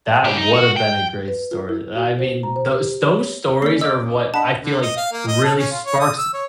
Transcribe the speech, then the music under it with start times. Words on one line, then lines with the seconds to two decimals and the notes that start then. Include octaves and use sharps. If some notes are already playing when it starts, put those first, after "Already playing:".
that would have been a great story, I mean, those those stories are what I feel like really sparks
0.24 C#3 G4
0.37 D#4
0.54 F#4
0.77 G5
1.28 B4
1.51 F4
1.69 E4
1.95 F#4
2.19 C5
2.43 A#5
2.56 C5
2.72 G4
3.02 C#5
3.62 A#3 C#4 D5 C7
3.81 D#5 D6 E6
4.34 D4 D#5 F#5 A5 B5
4.63 D3
4.82 D#5
4.97 F5
5.12 A#3
5.28 D#5
5.44 A4
5.59 C#4
5.71 F4
5.85 C#5
6.00 D#6
6.18 E6
6.34 C#5